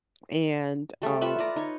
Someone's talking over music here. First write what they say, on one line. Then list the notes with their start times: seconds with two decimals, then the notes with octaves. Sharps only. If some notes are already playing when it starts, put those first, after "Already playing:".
and, um
1.02 G3 A3
1.21 F4 B4 E5 F#5
1.39 B4 D5 A#5
1.56 D#4 C#5